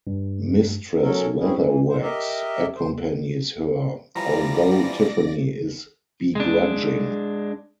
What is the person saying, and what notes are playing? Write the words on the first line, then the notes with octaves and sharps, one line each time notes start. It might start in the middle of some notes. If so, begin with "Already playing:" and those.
Mistress Weatherwax accompanies her although Tiffany is begrudging.
G2
F#3 C#4 A4 A#4
C4 C#4 E4 G#4
E3
F2 A2 C5
G4 A#4 D#5 E5
C5
E3 F3 G3 D5 A#5 A#6
G#3 D4